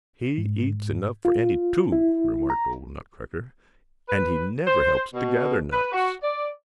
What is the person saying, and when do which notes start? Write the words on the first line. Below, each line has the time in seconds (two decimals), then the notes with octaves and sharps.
"He eats enough for any two," remarked old Nutcracker, "and he never helps to gather nuts."
0.38 G#2
1.25 F4
1.92 E4
2.50 A#5
4.08 B4
4.67 C5
5.13 B2
5.71 B4
5.91 F#4
6.22 D5